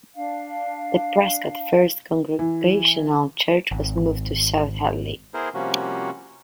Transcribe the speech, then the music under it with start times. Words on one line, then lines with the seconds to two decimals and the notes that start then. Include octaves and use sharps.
The Prescott First Congregational Church was moved to South Hadley.
0.14 D4 F5
2.39 E3
3.71 G#1
5.34 B3 E4 G#4 A#4 C5
5.54 C3 F3 G3 A#3 C#4 F#4